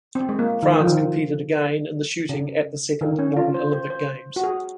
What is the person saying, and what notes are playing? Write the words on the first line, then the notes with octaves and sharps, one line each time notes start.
France competed again in shooting at the second modern Olympic Games.
C4
G#3
A#3
D#3
F3
D#3
C#3
D#3
C#4
F4
C5
C5
C5
F#4
G#4